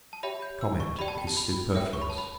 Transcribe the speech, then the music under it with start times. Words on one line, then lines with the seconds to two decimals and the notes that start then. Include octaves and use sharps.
Comment is superfluous.
0.13 A5
0.23 G4 C#5 E5 G5 B5
0.42 G6
0.61 E6
0.80 C#6
0.99 G4 D5 G5 B5
1.08 A5
1.18 G5
1.27 A5
1.37 B5
1.75 C#5 E5 G5
1.93 C#6
2.02 B5
2.10 A5
2.18 B5